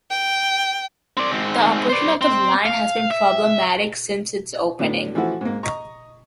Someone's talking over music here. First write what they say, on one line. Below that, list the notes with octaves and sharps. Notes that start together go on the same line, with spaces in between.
The operation of the line has been problematic since its opening.
G5
C4 D5
G#2 C4
C5 D5
C4
F5
E5
A2 D3 F#3 B3 D4
E3 F3 A3 E4 F#4
G#2 A#3
D#5 A#5 C#6